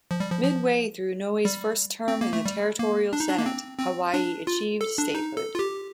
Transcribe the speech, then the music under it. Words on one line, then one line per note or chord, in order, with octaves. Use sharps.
Midway through Inouye's first term in the territorial senate, Hawaii achieved statehood.
F3
G3
F3
F3
G3
C4
A#3
A3
G3
A#3
D4
D#4
D4
A#3
C4
C4
D4
F4
A4
D4
D#4
A4
F4
G4